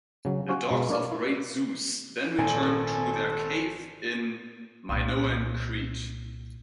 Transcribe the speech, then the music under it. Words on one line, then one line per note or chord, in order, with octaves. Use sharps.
"The dogs of great Zeus" then returned to their "cave in Minoan Crete".
C#3 F#3
C#4 F#4 C5 C#5 F5 G#5
B2 G#3
A#3 D4 C#5 D5 F5
E4
G#1 A#2 A4 G#5
C2 A#2